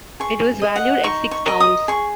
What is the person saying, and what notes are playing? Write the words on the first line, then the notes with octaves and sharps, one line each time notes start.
It was valued at six pounds.
G#4 C#6
D#5
F#5
D#4 C#6
C#6
A#4 D#5
D#6
G#4 C#6